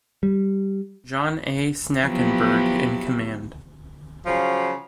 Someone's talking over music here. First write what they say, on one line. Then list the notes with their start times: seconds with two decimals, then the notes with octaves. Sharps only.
John A. Snackenberg in command.
0.23 G3
2.02 F3 F#3 B3 E4 G4
4.25 C#3 F3 F#3